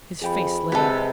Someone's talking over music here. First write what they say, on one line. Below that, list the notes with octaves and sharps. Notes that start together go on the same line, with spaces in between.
His face lit up.
F2 G#4 G5 B5
C3 G#3 A4 B4